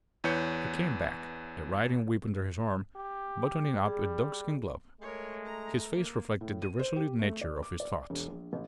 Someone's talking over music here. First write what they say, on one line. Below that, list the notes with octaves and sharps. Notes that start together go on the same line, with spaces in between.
He came back, a riding-whip under his arm, buttoning up a dogskin glove; his face reflected the resolute nature of his thoughts.
E2 E3 B4 C#5 G6 C#7
G4
G3 G#4
G#3 A3 A#4 C#5
A#5
A#3
A2
D#7
C5
G4
A3
D5
D6
D5
E1
A#1
A1